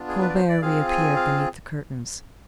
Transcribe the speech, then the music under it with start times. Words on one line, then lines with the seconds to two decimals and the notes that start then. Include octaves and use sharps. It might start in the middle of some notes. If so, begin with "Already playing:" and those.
Colbert reappeared beneath the curtains.
Already playing: B3 D4 F4
0.08 G#4
0.22 B4
0.30 D5
0.35 C5
0.49 D5
0.62 C4 F4 G#4 F5
0.89 G#5
1.16 F5